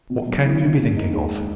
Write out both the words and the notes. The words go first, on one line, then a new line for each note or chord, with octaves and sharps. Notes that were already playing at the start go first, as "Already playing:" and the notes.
What can you be thinking of?
B2
B1
E4
E4
D#2
D#4
G#3